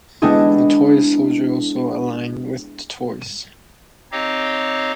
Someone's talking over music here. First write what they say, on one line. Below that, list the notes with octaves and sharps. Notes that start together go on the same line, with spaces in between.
The Toy Soldier is also aligned with the Toys.
G#3 B3 D4 E4 G4 G#4
C4 D#4 G4 C#5 D#5 F5